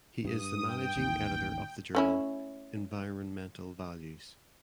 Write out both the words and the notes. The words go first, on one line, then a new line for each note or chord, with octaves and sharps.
He is the managing editor of the journal "Environmental Values".
G2 D#6
G5
A1 D#2
A3 C#4 E4